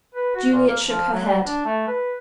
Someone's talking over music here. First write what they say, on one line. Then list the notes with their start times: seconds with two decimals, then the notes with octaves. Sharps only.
Juliet shook her head.
0.15 B4
0.36 F#4
0.53 A#2
0.67 A#3
0.83 F3
1.12 F#3
1.25 G3
1.45 D4
1.65 A3
1.88 B4